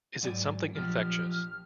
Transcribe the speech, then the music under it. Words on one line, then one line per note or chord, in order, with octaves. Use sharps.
Is it something infectious?
G#2 F#3 D5 G#5
A#1 F3 G4 F6